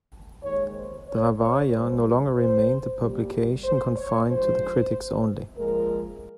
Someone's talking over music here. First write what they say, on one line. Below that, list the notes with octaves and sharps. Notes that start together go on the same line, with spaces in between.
The Ravaya no longer remained a publication confined to the critics only.
D#2 D#3 G#3 C#5
C5
C#5
C#5
G#2 G3 C5
C5
A#2 G3
C5
C#5
G2 F3 G#3 C5
A#2 F3 G#3 A#4